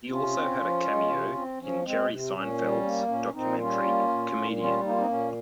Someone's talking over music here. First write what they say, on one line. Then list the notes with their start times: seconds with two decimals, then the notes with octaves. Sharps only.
He also had a cameo in Jerry Seinfeld's documentary, "Comedian".
0.09 C3 C#4 F4
0.34 C4
0.59 F3
0.84 G#3
1.09 C3
1.34 C4
1.59 F3 C#4
1.84 G#3 C4
2.09 C3
2.33 A#2 C#4
2.59 G3
2.83 A#3
3.08 A#2 C#4
3.33 A#2 C4 D#4
3.58 G3 C#4 F4
3.83 A#3
4.08 A#2
4.33 A#2
4.58 G3 C#4 F4
4.83 A#3 D#4
4.90 F4
4.97 C4 D#4
5.08 A#2 C#4